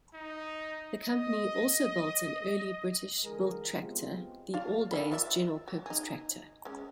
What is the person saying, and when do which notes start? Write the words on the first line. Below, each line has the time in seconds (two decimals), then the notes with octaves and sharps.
The company also built an early British built tractor, the "Alldays General Purpose Tractor".
0.14 D#4
1.03 D#5
3.24 D3 E3 G#3 G#4 A#4
3.75 C3 G#3 B3 C4 F4
4.54 F4 D5 F5
4.91 D#3 E5 B5
5.12 F4 D5 E5
5.68 F#3
5.86 D#4 G#4
6.65 G#3 C#4